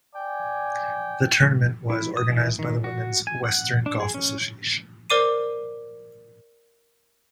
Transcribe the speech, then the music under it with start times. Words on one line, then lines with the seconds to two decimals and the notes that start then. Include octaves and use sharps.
The tournament was organized by the Women's Western Golf Association.
0.15 D5 G5 G#5
1.90 E4
2.17 D#6
2.30 E3
2.59 D#3
2.84 F#4
3.27 G#5
3.44 F#5
3.86 D4
4.00 G#4
4.14 C#4
5.10 A#4 C5 D5 D6 C7 D#7